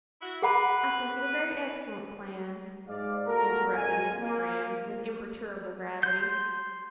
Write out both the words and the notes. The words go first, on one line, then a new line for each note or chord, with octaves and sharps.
'I think it a very excellent plan,' interrupted Mrs. Graham, with imperturbable gravity.
E4 F#4
G#4 B4 F#5 B5
G#2 D5 F5
A#3 F4 F#4 A4 A#4
A#1 F2 F3 G#3 G#5
A#3
C6 G6